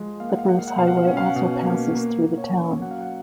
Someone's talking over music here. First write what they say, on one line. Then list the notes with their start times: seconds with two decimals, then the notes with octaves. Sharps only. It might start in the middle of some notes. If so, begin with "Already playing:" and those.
The Bruce Highway also passes through the town.
Already playing: F3 G#3
0.20 A#3 F5
0.30 F#5
0.39 F5
0.49 A#3 F#5
0.59 F5
0.68 F#5
0.78 B2 F5
0.88 F#5
0.97 F5
1.07 C#4 F#5
1.17 F5
1.26 F#5
1.36 B2 F5
1.65 A#3
1.95 A#3
2.24 A#3
2.38 C#5
2.52 C#4
2.82 F#3 F#5
2.91 F5
3.01 F#5